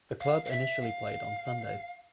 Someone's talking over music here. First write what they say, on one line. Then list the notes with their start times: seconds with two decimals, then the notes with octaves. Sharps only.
The club initially played on Sundays.
0.21 F5
0.45 F5
0.51 E5
0.81 F5